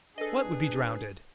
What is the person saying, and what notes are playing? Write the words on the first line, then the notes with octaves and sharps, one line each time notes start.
"What would be drownded?"
D4 G#4 A4 B4 D#5